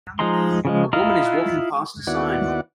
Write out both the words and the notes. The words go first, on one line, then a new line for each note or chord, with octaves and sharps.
A woman is walking past a sign.
F3 G#3 D#4 A#5 C6
C#3 F3 G#3
E4 F4 D#5 F5 A#5
D#2 B3 E4 F#4 D5 F#5